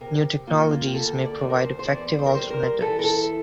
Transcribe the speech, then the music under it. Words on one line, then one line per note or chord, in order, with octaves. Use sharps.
New technologies may provide effective alternatives.
C3 A#4
A#3 F4
F4
G4
D2 A4
D5
D2
A#4
C5
C5
E2 D5
C5
A#4
G3 C5
A#4
E3 A4
A#4
A4